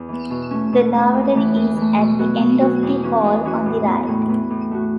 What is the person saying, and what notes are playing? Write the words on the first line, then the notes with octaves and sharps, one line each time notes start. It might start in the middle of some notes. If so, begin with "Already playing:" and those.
The lavatory is at the end of the hall on the right.
Already playing: E2
E3 B3
B2
A3 C#4
B2
A3 C#4
E2
E3 A3
E2
E3 A3
B2
F#3 B3 F#4
B2
F#3 B3 F#4
E2
E3 C#4 F#4
E2
E3 C#4 F#4
A2
E3 B3 E4
A2
E3 B3 E4
A2
A3 F#4